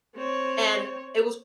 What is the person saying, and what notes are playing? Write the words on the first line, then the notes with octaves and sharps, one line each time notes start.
and it was
C4 C#5